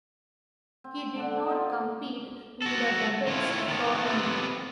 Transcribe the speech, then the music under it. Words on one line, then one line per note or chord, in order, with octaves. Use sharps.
He did not compete in the doubles tournament.
C4
D3 D5 F#5
A4
F4 C5 D#5
F#4 A4
D#3 A3 C#4 E4 F4
D#3 A3 B3
B3 C4 G4 A4 B4